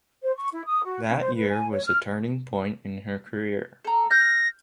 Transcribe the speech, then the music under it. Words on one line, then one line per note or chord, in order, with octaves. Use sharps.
That year was a turning point in her career.
C5
C#6
E4
D#6
F#4
C#4
C5
B4
G#5
C#5
F6
A4 A#5
F6 G6 A#6